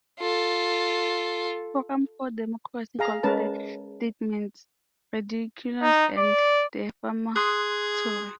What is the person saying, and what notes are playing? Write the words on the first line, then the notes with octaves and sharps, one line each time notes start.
Forum for Democracy called the statements "ridiculous and defamatory".
F4 A4
G#4 F5 A#5
G#3 C#4 A#4 B4 A5
D#4
D5
G#4 C6 D#6 F#6